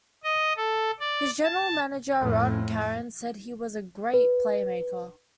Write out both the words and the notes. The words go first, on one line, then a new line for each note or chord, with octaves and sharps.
His General Manager Ron Caron said he was A great playmaker.
D#5
A4
D5
A5
F2 A2
B4